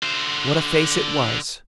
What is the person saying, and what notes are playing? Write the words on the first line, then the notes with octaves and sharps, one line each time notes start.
What a face it was!
D3 C5